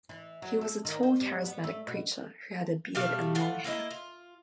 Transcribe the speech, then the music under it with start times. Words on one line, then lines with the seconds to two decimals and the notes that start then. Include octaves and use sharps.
He was a tall, charismatic preacher who had a beard and long hair.
0.09 E3
0.42 F#3
0.61 A4
0.85 D#3
1.03 C5
1.21 G3
1.45 B3
1.64 A3
1.87 B2
2.95 B2 G3 A3 F5
3.35 A2 F4 F#5
3.64 A#3 E4 F#4 D#5
3.91 F4